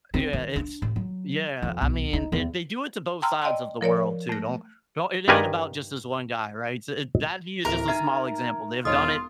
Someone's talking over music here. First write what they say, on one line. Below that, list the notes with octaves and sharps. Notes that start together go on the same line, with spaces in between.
Y yeah, it's yeah, I mean, it they do it to both sides of the world, too. Don't don't it ain't about just this one guy, right? So, that he is just a small example, they've done it
C4
D#3
D4
A1
F#3
F2
B1
D#4
E2
G5 A5 A#5 C6 E6 F6
D5 D#5 G5 A5 C6 E6
F3 A#4 C#5 D5
A3 A#6
G2 D#3 G3 A#4 B4 G#5
D1 E3 E4 A#4
D#4 E5 A#5 G#6
E1 D#4 F4 C#5 D#6
C6